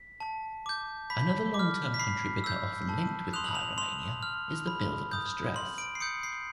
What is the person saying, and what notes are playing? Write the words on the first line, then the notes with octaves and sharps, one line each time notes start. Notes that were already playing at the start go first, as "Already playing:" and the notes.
Another long term contributor often linked with pyromania is the buildup of stress.
Already playing: B6
A5
D6 G6
B5 B6
D6
F6
B6
B5 C7
E6 G6
A5
C6 D#6 F#6 F7
F#7
F7
C6 F7
F6
B5
D#6 G6
C6 F#7
D7
C7
D#6 G6 C#7
C7